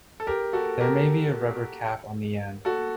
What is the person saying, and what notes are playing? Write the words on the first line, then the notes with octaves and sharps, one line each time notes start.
There may be a rubber cap on the end.
A4
G4 A#4
F#4 A4
G4 A#4
F#4 A4